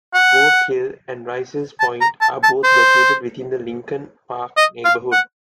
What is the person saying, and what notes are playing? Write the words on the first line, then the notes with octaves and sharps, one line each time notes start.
Goat Hill and Rice's Point are both located within the Lincoln Park neighborhood.
F#5
A5
A#5
A5
A5
C5
D#5
F5
F#5